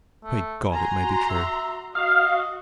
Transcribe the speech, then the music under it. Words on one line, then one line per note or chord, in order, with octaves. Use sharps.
Pray God, it may be true!
A3
F#4 G#5 A#5 C6
E5
F#4 D#5 F5